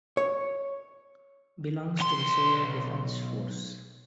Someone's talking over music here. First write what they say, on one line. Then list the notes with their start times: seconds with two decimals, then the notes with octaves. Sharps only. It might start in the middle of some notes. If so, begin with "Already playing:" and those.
Belongs to the Soya Defense Force.
0.17 C#5
1.99 B1 C6